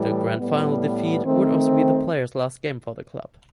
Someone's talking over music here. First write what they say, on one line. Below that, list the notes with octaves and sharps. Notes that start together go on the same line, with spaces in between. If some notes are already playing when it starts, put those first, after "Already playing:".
The grand final defeat would also be the players last game for the club.
Already playing: A2 E3 G3
A2 G3 B3
D#3 A3 C4